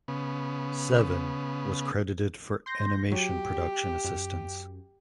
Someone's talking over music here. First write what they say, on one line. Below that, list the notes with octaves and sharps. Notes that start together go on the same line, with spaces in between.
Seven was credited for animation production assistance.
C#3 B3
C6 G6 A#6
F#3 G4
F#2